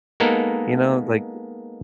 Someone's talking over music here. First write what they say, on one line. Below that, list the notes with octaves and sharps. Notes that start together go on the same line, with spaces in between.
you know, like
G#3 A#3 B3 D#4 A4 A#4